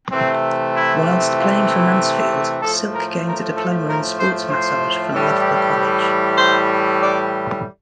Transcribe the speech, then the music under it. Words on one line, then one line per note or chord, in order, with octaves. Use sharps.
Whilst playing for Mansfield, Silk gained a diploma in sports massage from Loughborough College.
C3 E3 A3 C4
E4
F4
E4
A2 F3 A3 A4
A#4
A#4
A4
A#4
C5
C5
A2 E3 G3
C5
D5